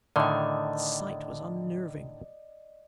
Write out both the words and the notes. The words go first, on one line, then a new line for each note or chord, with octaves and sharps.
The sight was unnerving.
A2 D3 D#3 D5 D#5